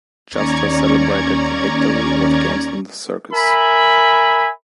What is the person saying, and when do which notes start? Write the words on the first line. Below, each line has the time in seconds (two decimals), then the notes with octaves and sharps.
Justa celebrated the victory with games in the circus.
0.32 D#2 C#4 D5 A#5 C#6 G#6
3.33 A#4 E5 G#5 B5